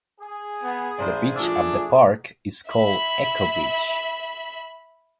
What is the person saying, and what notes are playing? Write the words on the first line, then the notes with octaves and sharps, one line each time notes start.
The beach at the park is called Echo Beach.
G#4
B3
A1 C5 D5
F3 A3 D4 E6
E5 B5